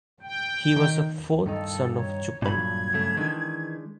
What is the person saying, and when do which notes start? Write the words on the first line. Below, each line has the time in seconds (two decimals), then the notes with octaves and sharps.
He was the fourth son of Chupan.
0.22 G5
0.76 D#3
1.46 G2 D#3 D#4 A4
1.96 C#5 A#5
2.42 G2 A#2 D3 F#3 B5 G#6
2.93 F#2 C#3 A3
3.17 D#3 E3 G#3 D4